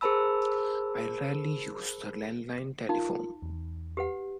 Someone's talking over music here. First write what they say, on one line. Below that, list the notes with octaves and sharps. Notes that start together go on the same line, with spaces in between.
I rarely use the landline telephone.
G#4 A#4 C5 A5 B5 E6
D#4 F4 A#4
E2
G4 B4 F#5